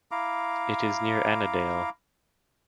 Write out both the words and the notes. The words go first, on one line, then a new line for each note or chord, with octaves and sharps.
It is near Annadale.
E4 F5 A#5 D6